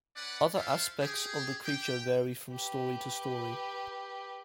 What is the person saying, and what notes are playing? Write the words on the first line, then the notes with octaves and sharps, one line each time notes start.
Other aspects of the creature vary from story to story.
C#4 B4 D5 F#5
E4 F4 A4 C5 E5 F5
G4 G#4
G4 G5
G4 B4